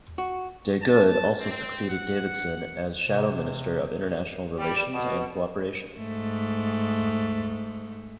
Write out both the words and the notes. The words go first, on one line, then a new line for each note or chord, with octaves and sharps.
De Goede also succeeded Davidson as Shadow Minister of International Relations and Cooperation.
F#4
A5
C4
F#5
C3
G3
B2
G#2 A3